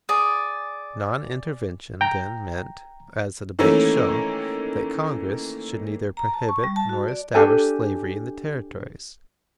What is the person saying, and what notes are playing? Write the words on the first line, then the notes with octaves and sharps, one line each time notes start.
Non-intervention then meant, as the debates show, that Congress should neither prohibit nor establish slavery in the Territories.
G#4 D5 D#6
G5 A#5
D#3 E3 A3 A#3 C#4
A#5
A5
C#6
G3
A5
F#4
D5
D4 G4 A4 G#5